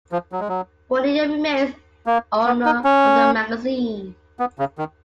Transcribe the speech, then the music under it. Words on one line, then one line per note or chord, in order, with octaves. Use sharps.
Bonnier remains owner of the magazine.
F3
F#3
G#3
F#3
A#3
B3
D#4
C#4
B3
C#3
D#3